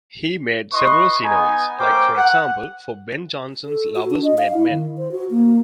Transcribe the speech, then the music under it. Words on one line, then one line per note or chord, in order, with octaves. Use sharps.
He made several sceneries, like for example for Ben Jonson's Lovers Made Men.
E4 B4 D#5 C6 C#6
B3 D#4 G#5
A3 C#4 A#4 C5 G5 D6
F#5
A4
F#4
D4
D#5
F5
E4
D#3
C5
F#4
A#3